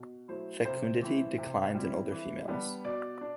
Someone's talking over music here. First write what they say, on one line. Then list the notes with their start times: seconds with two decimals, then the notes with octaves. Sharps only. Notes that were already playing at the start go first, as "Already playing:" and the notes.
Fecundity declines in older females.
Already playing: B2
0.28 F#3 A3 E4 C5
0.65 C3 C5
1.02 E3 A3 C4 E4
1.38 C3
1.75 G3 C4 E4
2.12 E3
2.48 G3 B3 D4
2.85 B2 D5
3.21 D4